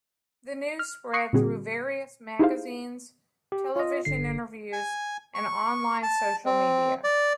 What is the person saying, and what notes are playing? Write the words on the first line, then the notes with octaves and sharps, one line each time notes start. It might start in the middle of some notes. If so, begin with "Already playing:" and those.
The news spread through various magazines, television interviews and online social media.
F6
C#6 D#6 F#6 C7 C#7
A#2 D3 G3 C4 F#4 G#4
D#4 E4 G4 G#4 C5 F5
G4
F4 D#5
G1 D3 C7
G#5
C#6
A5
C4
D5